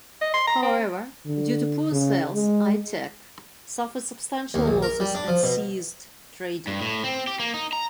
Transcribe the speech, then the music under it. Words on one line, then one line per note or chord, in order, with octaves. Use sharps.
However, due to poor sales Eyetech suffered substantial losses and ceased trading.
D#5
C6
A#5
C4
D3
C#3
G#3
D#2
A#1
A#4
G3
D4
F3
B2
G2
A2
C4
G4
A#3
D#4
A#5